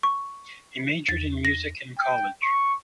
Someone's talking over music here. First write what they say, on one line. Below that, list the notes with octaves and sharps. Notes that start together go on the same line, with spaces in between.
He majored in music in college.
C#6
E2 A6
A#6
G5
C#6